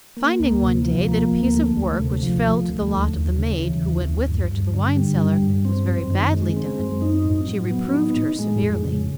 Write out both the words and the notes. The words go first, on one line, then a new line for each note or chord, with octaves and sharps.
Finding one day that a piece of work which fell to the lot of the maid who went with her to the wine-cellar was very badly done, she reproved her severely.
A#3
D2
C3
F3
A#3
D2
A3
D2
C3
F3
A3
D2
D#2
D#2
C#3
E3
D#2
D#2
G2
G2
D3
G3
G2
G2
C4
F#2
D#3
G#3
C4
F#2
D#4
A2
F#3
B3
D#4
A2
G#3
F2
C#3